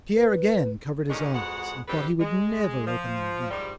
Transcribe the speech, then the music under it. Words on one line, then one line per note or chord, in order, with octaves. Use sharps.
Pierre again covered his eyes and thought he would never open them again.
B4
D3 D#3 F#3 G#3 A#3 C#4
F2 G#3 B3 F#4 F#5
D3 G3 C4 E4 G4 B4
G#3
F3
G#2 D#3 F3 G3